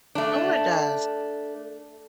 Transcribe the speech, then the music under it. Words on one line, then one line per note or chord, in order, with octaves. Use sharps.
No. It does.
A3 D4